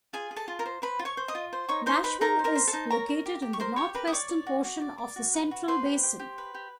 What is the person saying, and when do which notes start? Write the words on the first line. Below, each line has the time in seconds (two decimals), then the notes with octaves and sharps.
Nashville is located in the northwestern portion of the Central Basin.
0.13 F4 G#4 G#5
0.31 G#4
0.36 A4 A5
0.48 F4
0.59 A#4 A#5
0.66 C5
0.82 B4 C5 B5
0.99 F4
1.05 C#5 C#6
1.17 C5
1.28 D#5 D#6
1.35 F4
1.53 C5
1.69 D#4 C#5 C#6
1.86 D#4 C5 C6
2.04 B4 C5 B5
2.21 D#4 A#4 A#5
2.39 C5
2.44 A#4 A#5
2.55 C5
2.68 A4 A5
2.73 D#4
2.90 A#4 C#5 A#5
3.08 A#4
3.26 G4
3.42 G4
3.53 C#6
3.60 A#4 C5 C6
3.76 G4 C#5 C#6
3.95 A#4 B4 B5
4.07 D#6
4.12 C#5 D5 D6
4.29 D5
4.46 F#4
4.64 F#4
4.81 D5
4.98 D5
5.16 F#4
5.34 B4
5.51 F#4
5.68 B4 C5 C6
5.85 G4
6.03 G4
6.19 G4
6.38 B4
6.55 G4